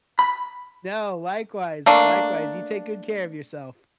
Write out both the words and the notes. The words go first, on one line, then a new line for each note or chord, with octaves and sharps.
No, likewise, likewise, you take good care of yourself.
B5
A3 A#3 D4